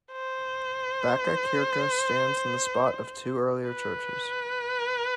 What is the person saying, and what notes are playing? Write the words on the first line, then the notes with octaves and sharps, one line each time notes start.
Backa Kyrka stands in the spot of two earlier churches.
C5
B4